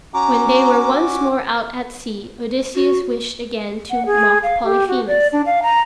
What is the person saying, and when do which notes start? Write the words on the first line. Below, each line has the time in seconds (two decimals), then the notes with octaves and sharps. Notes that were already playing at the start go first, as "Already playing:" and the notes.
When they were once more out at sea, Odysseus wished again to mock Polyphemus.
0.14 C#4 F#4 A#5 D6
2.75 F#4
3.90 F#5
4.06 G#4
4.43 F5
4.64 G4
4.88 F#4
5.07 D5
5.32 D4
5.46 F5
5.63 A#5